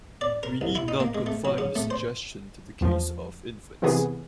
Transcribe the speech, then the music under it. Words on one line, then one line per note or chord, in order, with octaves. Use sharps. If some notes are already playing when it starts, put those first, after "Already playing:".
We need not confine the suggestion to the case of infants.
D5
A#4
C2
E4
D#4
A#3
G#3
A3
F#3
C#3
A3
C5
E2 F3
C3 E3 B3 G#4